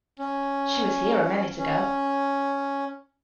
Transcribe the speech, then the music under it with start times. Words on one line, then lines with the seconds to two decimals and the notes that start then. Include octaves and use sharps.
She was here a minute ago.
0.19 C#4
1.58 C#4